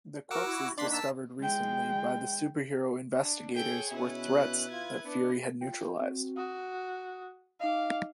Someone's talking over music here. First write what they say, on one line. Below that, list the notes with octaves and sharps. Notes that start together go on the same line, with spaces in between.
The corpses discovered recently by the superhero investigators were threats that Fury had neutralized.
F#4 A#4 F#5 D6 E6
E4 F#4
D#3 A#3 D4 D5 C6 B6
A5 E6 B6
G#3 G5
D4
G#4 A4 C#5 G5
B2 C#4 E4 B4
F#6
F4 G#6
B3 D4
F4 G5
C4 F#4
F#4 D#6
D#4 D#5 F5 D6